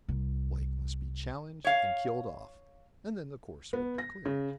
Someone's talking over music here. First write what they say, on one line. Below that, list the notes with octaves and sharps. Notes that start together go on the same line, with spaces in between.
Blake must be challenged and killed off, and then the course would be clear.
C2
C#5 F5
B3
A#6
C#3